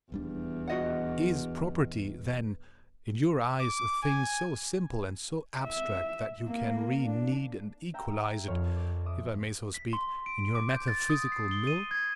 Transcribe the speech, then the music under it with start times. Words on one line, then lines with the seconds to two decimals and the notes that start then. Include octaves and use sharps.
Is property, then, in your eyes a thing so simple and so abstract that you can re-knead and equalize it, if I may so speak, in your metaphysical mill?
0.12 D#1 E2 G3 D4
0.67 F#4 D#5 F#5
3.60 D6
4.02 G#5
5.63 E5
6.46 A#3
7.04 D4
7.94 E5 G5 A#5
8.47 F2 C#5 F6
8.76 D6
9.06 E5 D6 D#6
9.74 B6
9.93 C6
10.26 D7
10.55 D6
10.71 G6
10.88 A6
11.10 D#6
11.32 C7
11.51 G7
11.67 D#7
11.91 G#6